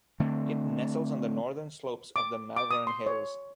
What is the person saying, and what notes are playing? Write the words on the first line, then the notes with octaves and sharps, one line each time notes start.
It nestles on the northern slopes of the Malvern Hills.
D3 A3 C4
D6
D6
D#6
C6
C#5